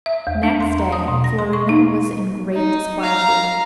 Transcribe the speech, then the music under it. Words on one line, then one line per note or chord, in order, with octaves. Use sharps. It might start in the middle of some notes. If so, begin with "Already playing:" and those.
Next day, Florina was in great disquietude.
E5
E2
D4
C6
A#5
D#6
B2
A#6
C6
C#6
D#4
D#4
F5 A#5